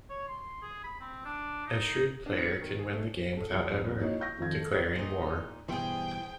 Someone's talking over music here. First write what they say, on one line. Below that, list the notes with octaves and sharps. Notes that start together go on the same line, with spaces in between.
A shrewd player can win the game without ever declaring war.
C#5
C6
G#4
B5
C4
D4
D#4
D4
C#7
D#3
G#4
A3
A4
C2 F2
A#3 D#4 E4 F#4 C#5 D#5
C#6 G6 A#6
F2 D#3 F3 F5 G#6
A4
A#2 D#4
G2 B2 E3 G#4 C5 G5